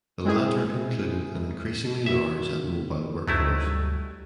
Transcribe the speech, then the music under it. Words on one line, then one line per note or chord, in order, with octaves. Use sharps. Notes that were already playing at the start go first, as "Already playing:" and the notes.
The latter included an increasingly large and mobile workforce.
G#3 C4 E4 G#4
A#3 E4 F#4 E5
D2 G2 C3 F#3 A3 D#4 E4
G3